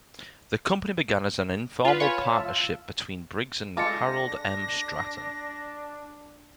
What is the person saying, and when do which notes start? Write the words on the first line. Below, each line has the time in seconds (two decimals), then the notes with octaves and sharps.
The company began as informal partnership between Briggs and Harold M. Stratton.
1.85 F4 B4
2.00 F4 C#5 G#5 B5
2.30 F4 E5 A5
2.44 F4 E6
3.77 G#3 D4 F4 A4 D6 A6 A#6 C#7